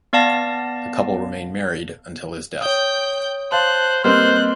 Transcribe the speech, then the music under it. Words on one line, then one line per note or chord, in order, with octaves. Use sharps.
The couple remained married until his death.
B3 D5 F5 A5 A#6
C#5 G5 D#6 G6
C5 F5 A5 F#6
G3 A#3 C4 B4 C5 D#5 F6 F#6